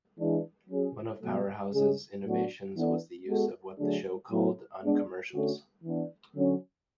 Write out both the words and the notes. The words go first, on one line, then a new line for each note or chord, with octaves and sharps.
One of "Powerhouse's" innovations was the use of what the show called Uncommercials.
E3 G#3 D4
F#3 C#4 G#4
B2 F#3 A3
C#3 G#3 C#4 G#4
A2 F#3 B3 D4 F#4
E3 B3 D4 A4
G#3 B3 F#4 A4
D3 F#3 A3 D4 G#4
A2 F#3 B3 E4 A4
G#3 B3 D4
D3 A3 C#4 F#4
E3 B3 D4
D3 F#3 C#4